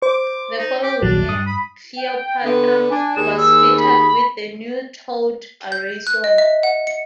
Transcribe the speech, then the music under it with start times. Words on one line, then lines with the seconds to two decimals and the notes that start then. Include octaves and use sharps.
The following year, "Cleopatra" was fitted with the new towed array sonar.
0.02 C5 D6
0.58 D#4
0.82 G4
1.02 D#1 A#1 D#2 F#3 D4
1.29 G2 D#6
1.46 B5
1.97 G5
2.43 D3 B3
2.90 D4 G#5
3.16 D#2 G#4 E7
3.38 E6
3.78 B5
5.72 G6
6.07 F#6
6.24 D#5
6.38 E5
6.63 F#5
6.87 C#7